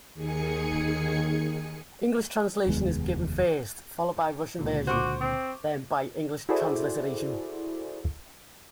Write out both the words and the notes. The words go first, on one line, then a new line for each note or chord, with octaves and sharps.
English translation is given first, followed by Russian version, then by English transliteration.
D#2 D#3 G#4 G#5 C#7
F1 D#2 G#3 B3
C#2 A#2 D3
F#4 C5 C#6 D6
C4
E4 F#4 G#4 A4 C5 D5